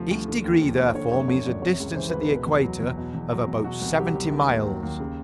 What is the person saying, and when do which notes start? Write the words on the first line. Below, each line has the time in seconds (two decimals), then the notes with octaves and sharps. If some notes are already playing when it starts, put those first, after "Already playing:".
Each degree therefore means a distance at the equator of about seventy miles.
Already playing: D2 C3 F3
0.11 D2
0.28 D3
0.44 D#2
0.62 F3
0.78 D#2
0.87 C5
0.94 D3 C#5
1.12 F#2 C#5
1.28 F3 C#5
1.45 F#2 D5
1.62 C3 C#5
1.80 C#2
1.96 E3 C5
2.09 C#2 B4
2.21 A#4
2.30 B2 B4
2.47 E2
2.64 F#3
2.81 E2
2.97 B2
3.14 E2
3.32 F#3
3.48 E2
3.64 B2 F#4
3.82 C2
3.98 F#3 G4
4.15 C2
4.32 D#3
4.49 D#2
4.66 F#3
4.83 D#2
5.00 C#3